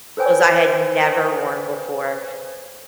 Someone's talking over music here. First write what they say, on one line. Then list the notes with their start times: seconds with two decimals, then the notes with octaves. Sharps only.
Clothes I had never worn before.
0.17 A4 B4 C5 G5 G#5